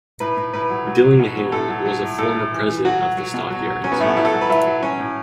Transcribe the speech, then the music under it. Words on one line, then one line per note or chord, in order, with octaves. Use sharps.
Dillingham was a former president of the Stockyards.
A2 B4
A2
A2 B4
F#3
F#3
F#3
B2
F#3
A2 A4
F#3
F#3
A2
A2 A4
A2
E3
E3
F#3 F#4
F#3
F#3
B2
F#3
F#3
F#3 C#4
B3
A2 A3
B3
F#3 E4
A4
F#3
B4
F#3 E4
F#3
F#3 C#4
A2